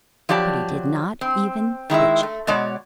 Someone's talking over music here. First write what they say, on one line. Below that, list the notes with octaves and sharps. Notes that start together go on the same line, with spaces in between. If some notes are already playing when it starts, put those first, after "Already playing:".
But he did not even fidget.
F3 F#3 G4 D5 A5
C4
D#3 G#3 E4 E5
A3
B2 G#3 C#5 D5 F#5